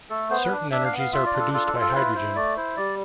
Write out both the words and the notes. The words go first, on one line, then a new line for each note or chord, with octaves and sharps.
Certain energies are produced by hydrogen.
A3 A4
B3 C5
B4
D4
D4 E5
F5
B3
F5
F4 E5
D5
D4
A4
F4 A4
A4
F4
A4
C5
E4 B4
E4 C5
A3 D5
E4 C5
G3 D5